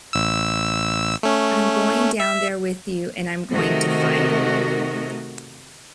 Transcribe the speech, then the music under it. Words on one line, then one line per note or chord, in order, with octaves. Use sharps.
I'm going down there with you, and I'm going to fight.
A1 E6
A3 C#4
E5
C3 D#3 A3 F#4 A#4 D#5